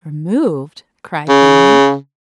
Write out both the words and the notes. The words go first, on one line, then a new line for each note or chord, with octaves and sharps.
"Removed!" cried Bingley.
C#3